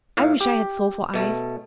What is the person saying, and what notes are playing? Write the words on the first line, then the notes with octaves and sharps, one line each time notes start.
I wish I had soulful eyes.
A2 F5
G4
B2 A3